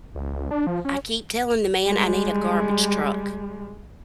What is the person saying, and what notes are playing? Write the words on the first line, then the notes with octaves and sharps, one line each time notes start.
I keep telling the man I need a garbage truck,
C#2
D4
F3
C#4
G3 G#3